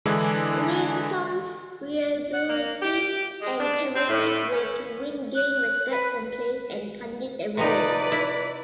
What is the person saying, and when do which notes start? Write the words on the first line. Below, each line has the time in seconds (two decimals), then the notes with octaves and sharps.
Leighton's reliability and terrific will to win gained respect from players and pundits everywhere.
0.06 D3 E3 G#3 D4 E4
2.33 F#5
2.49 A#3
2.82 G4
3.41 G#3
3.60 D4
3.95 C4
4.09 A2
4.52 C#4
5.35 F#6
5.90 B4
7.57 C3 F3 D#4 B4 D5
8.12 E4